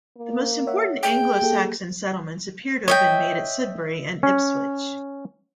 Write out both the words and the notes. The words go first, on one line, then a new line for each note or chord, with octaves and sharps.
The most important Anglo-Saxon settlements appear to have been made at Sudbury and Ipswich.
A#3
C#5 E5 F#5
G#4 G5
A#3 G4 A4
C#5 D#5 E5 G5
C#4